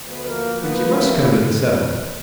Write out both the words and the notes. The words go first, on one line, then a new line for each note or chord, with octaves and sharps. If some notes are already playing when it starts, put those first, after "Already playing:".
But you must come to the Settlement.
Already playing: D2
B3 B4
F3 A#3 A#4
A#3 B3 B4
C3 E4 E5